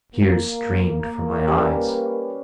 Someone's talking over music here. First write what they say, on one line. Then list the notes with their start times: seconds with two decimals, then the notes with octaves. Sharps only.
Tears streamed from my eyes.
0.14 A#3
1.48 G3 C#4 G4 B4